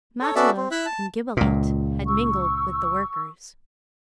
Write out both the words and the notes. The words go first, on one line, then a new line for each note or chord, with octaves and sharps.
Matelote and Gibelotte had mingled with the workers.
A4 C#5
B3 C#4 F#4 A4 D5 E5
C4
E4 E5 E6 F#6
A5
C#2 A#2
C#6 E6